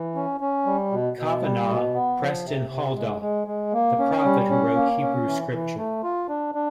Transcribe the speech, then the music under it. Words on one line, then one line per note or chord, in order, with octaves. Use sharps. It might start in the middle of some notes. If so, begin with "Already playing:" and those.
Kavanagh, Preston Huldah - The Prophet Who Wrote Hebrew Scripture.
Already playing: E3
C#4
C#4
G3
B2
B2
G3
B2
B3
F3
C3
C3
G#3
G#3
G#3
A#3
C#4
G3
C#4
A#3
C#4
E3
E3
A3
F4
D4
D4